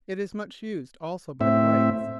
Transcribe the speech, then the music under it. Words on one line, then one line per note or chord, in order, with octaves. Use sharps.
It is much used also by the whites.
A2 C4 E5